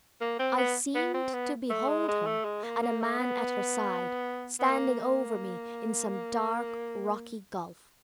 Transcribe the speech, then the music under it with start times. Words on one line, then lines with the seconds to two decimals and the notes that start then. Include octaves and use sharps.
I seemed to behold her and a man at her side, standing over me in some dark, rocky gulf.
0.21 A#3
0.39 C4
0.57 B3
0.95 B3
1.14 C4
1.33 B3
1.70 A3
1.88 G#3
2.08 G#3
2.27 A3
2.44 G#3
2.63 A#3
2.82 A#3
3.01 A3
3.19 B3
4.60 B3
4.70 A#3